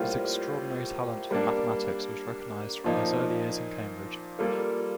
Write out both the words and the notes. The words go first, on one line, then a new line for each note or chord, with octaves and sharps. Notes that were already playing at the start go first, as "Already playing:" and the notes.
His extraordinary talent for mathematics was recognised from his early years in Cambridge.
Already playing: A2 G3 A#3 F4 C5
G3 A#3 D4
A#2 F3 A#3 D#4
G3 A#3 F4 A4